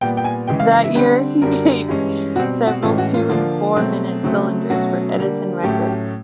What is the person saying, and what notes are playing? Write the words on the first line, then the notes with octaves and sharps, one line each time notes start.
That year he made several two and four-minute cylinders for Edison Records.
A#2 G3 B3 G5
G5
G#5
C#3 E3 G#3 G5
F5
F5
E5
D3 G3 C4 B4
F#2 D3 G3 A#4
G2 E3 G#3 C#4
B2 G3 C4 F#4
F#4
A2 E3 G#3 C#4 F4
F#4
F4
D3 F3 A#3 D4 F4
B2 F#3 A3 C4
C#3 F#3 A3 C4
B2 F#3 A3 C#4 F#4
D3 G3 A#3
A2 F#3 A3 C#4 G4